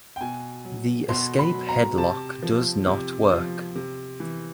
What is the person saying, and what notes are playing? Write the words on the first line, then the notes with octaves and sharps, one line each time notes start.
The escape headlock does not work.
G5
B2 G#5
F#3
B2 C6
B5
F#3
A#5
C3 A5
F3
C3
F3
C3
E3